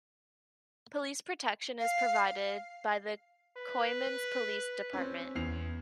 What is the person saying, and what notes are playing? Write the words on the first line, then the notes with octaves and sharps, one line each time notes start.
Police protection is provided by the Coeymans Police Department.
F5
B4
C4 C#4
E2 C7 F7